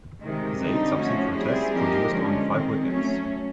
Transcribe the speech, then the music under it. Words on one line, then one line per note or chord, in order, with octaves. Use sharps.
His eight subsequent Tests produced only five wickets.
C3 D#3 G#3
D3 G3 C4 D#4
F3 A3 C#4 F#4
G3 C4 E4 G#4
F3 A#3 D#4 G4 A#4
D3 F3 G#3 C#4
D#3 G#3 C4
F#3 A3 C#4